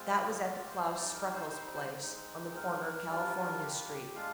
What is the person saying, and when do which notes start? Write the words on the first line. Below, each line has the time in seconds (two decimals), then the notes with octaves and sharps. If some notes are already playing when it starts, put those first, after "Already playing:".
That was at the Claus Spreckels place, on the corner of California Street.
Already playing: G#3 C4 F4
0.17 D#5
0.44 D5
0.70 C5
0.97 G3 C4 D#4 D5
1.14 A#4
1.32 C5
1.50 C5
1.76 C5
2.03 G#3 C4 D#4
2.51 G#4
2.56 A#4
3.09 G3 D4 F4
3.62 G4
4.15 G#3 D4 F4 F5